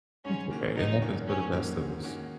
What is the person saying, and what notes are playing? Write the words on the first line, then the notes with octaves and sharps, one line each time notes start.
That's okay. It happens to the best of us.
G#2 C#4
D#3 A#3 C#4 F#4
G#2 D#4
D#3 A#3 C#4 F#4
G#2 C#4
D#3 A#3 C#4 F#4
G#2
D#3 A#3 C#4 F#4